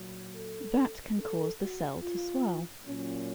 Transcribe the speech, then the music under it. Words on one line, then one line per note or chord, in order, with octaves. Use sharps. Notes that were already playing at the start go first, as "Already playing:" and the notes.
That can cause the cell to swell.
Already playing: A#2 F#3
A4
A4
F#4
F4
A#2 F#3 C#4